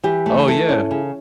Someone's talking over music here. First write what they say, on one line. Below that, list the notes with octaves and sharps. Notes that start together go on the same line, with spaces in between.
Oh, yeah.
E3 G4
A3
E4 A4
C#4
C#3